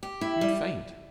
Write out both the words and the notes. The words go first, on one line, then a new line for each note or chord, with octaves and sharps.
You'd faint.
G4
E4
G3